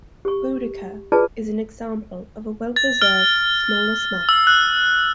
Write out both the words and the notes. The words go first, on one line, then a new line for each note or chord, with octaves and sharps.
"Boadicea" is an example of a well-preserved smaller smack.
G4 C#6
F4 G#4 B4 D5 A5
A6
F6
E6
F#6